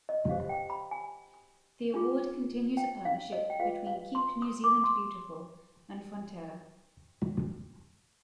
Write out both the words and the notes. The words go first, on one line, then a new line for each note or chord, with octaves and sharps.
The Award continues a partnership between Keep New Zealand Beautiful and Fonterra.
D#5
D4 G4 C5 F5
G5
B5
G#5
D4 F4 G#4
G5
F5
D#5
G5
F4 G#4 B4 F5
F5
C6
D#6
D6
C6